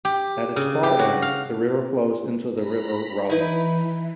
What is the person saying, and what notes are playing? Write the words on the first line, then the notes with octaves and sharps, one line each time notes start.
At its far end, the river flows into the River Rother.
G4
C#3
G4
F#4
F5
A#5 B5 B6
E3 D#4 E4 B4